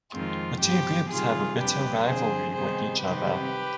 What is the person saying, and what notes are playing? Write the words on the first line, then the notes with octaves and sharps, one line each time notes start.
The two groups have a bitter rivalry with each other.
F2 D#3 G#3 C4 F4
G2 F3 B3 G4
C3 D#3 G3 F4 G#4
F2 C3 G3 D4 G4 B4
D3 F3 C4 G#4 C5
C3 D#3 G3 B3 D#4 G#4 C5
C3 D#3 G3 C4 D#4 G4 B4